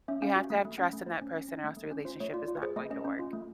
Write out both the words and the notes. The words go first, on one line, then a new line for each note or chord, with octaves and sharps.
You have to have trust in that person or else the relationship is not going to work.
C#4 E5
C#4 F5
F#4
A3
A3
C#4 F#5
A3
A3 C5
C#4
C#4
C#4
A3
A3
C#4
F4 C5
A3 C#5
F4 D5
F4
B4
G#4 C5
A3 D#5
C#4 D#5
C#4
F4
A3